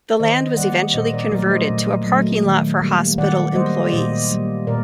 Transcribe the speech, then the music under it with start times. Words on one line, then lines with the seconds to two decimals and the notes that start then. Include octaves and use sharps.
The land was eventually converted to a parking lot for hospital employees.
0.20 D#3 C5 D#5
0.57 G3 A#3 D5 F#5
0.94 A#2 C5 D#5
1.13 A#4 D5
1.31 F#3 A3 A#4 D5
1.50 C5 D#5
1.70 A#2
2.06 F#3 A3
2.44 D#3
2.82 G3 A#3
3.18 D#3 D5 F#5
3.55 G3 A#3 C5 D#5
3.85 D5
3.92 A#2 C5 D#5
4.31 G3 A#3
4.67 A#2 A#4 D5